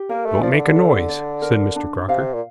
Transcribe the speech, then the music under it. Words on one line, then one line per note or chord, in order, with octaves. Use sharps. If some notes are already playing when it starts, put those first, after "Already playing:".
"Don't make a noise," said Mr. Crocker.
Already playing: G4
A#3 A#4
A3
F3 D5
E3
D3
A4
D5
A#4
D4
C3 F5
A#2